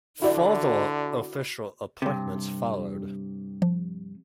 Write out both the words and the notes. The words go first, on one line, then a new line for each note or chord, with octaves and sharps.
Further official appointments followed.
D3 E4 F#4 D5
G2 C3
F3